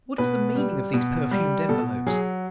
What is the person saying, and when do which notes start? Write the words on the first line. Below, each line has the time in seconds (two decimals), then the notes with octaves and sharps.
What is the meaning of these perfumed envelopes?
0.18 B2 B4
0.55 G3
0.93 B2
1.31 G3
1.69 B2 A4
2.07 F#3 G#4